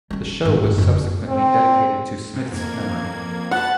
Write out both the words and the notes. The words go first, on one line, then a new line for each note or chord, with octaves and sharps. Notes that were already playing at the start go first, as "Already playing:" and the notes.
The show was subsequently dedicated to Smith's memory.
G3 C#4
G#2
G2 A3
F#2 D3
C4
G#2
F2 A#3 G#6
F#5 A5 B5 A6